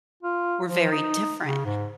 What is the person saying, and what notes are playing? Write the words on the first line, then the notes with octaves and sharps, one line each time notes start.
we're very different.
F4
F3
D#4
C#3
G#2